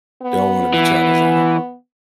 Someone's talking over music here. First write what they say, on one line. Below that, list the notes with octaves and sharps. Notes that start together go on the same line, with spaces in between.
Don't wanna be challenged at all.
B3
E3